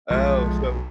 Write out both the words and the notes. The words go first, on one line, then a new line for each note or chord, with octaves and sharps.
Oh, so
B1 F3 G#3 A3